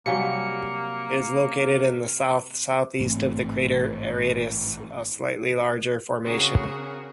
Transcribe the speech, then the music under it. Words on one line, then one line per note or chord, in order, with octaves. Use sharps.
It is located to the south-southeast of the crater Aratus, a slightly larger formation.
C3 F#3 G3 A#3 D#5 F5 G#5 C#7
A1 G#2 A3 C4
C#3 C4 C#4 F#4 G#4 A#4